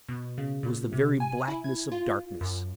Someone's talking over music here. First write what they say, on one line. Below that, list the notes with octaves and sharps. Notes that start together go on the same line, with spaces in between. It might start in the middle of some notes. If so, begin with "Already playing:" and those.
It was the very blackness of darkness.
B2
C#3
A#2
C3
G#5
E4
G#6
F4
F#2